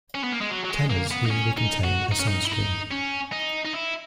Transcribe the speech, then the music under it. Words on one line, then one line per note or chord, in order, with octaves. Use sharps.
Tanners usually contain a sunscreen.
C#4
B3
A#3
G#3
F#3
F#3
G#3
A#3
B3
D#4
C#4
D#4
F#4
D#4
C#4
D#4
E4
D#4
C#4
D#4
D#4
E4